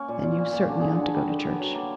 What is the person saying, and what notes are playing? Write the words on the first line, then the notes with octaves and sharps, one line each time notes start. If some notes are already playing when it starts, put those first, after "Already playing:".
"Then you certainly ought to go to church."
Already playing: A#3 C#4
A#2
A#2
A#2
A#2
D3 D4
D3 G#4
A4
D3 G#4
G3 G#4
D3
B3
F#3
A#3